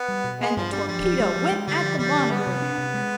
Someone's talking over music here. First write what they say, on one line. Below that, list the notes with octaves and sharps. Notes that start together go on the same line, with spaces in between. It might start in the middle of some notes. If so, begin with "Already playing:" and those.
"And the torpedo went at the monitor!"
Already playing: B3
G3
B2
G#3 B3
G2 F3
G3 D4
F3 G3
F3
G#3
F3
G#3
D3 G3
F3
D3 G3
G2
G3 B3
C3
D4
C3
G#3